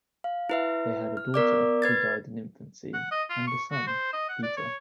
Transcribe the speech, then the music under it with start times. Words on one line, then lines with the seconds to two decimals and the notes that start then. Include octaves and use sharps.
They had a daughter who died in infancy, and a son, Peter.
0.24 F5
0.49 E4 B4 E5
1.17 F6
1.34 B3 A#4 D5 D6
1.82 B4 G#6 A6
2.94 F#5
3.11 D#5
3.30 F4
3.47 C#6
3.72 F#4
3.87 C5
4.13 D#5
4.29 F#5
4.43 D5
4.57 C#5